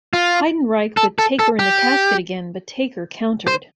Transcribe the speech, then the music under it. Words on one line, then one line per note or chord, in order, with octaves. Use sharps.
Heidenreich put 'Taker in the casket again but 'Taker countered.
F4
A4
A4
A4
G4
C5